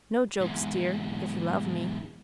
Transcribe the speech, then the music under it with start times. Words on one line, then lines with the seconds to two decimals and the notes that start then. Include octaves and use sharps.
No jokes, dear, if you love me.'
0.41 E2 G#2